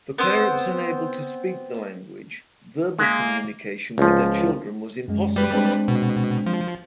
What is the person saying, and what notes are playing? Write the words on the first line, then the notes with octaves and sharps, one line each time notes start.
For parents unable to speak the language, verbal communication with their children was impossible.
B3 C4 C5
G#3 A#3 E5
C#2 F3
F#2 G#3
G3 B4
G#3 C4 D4
B2
F3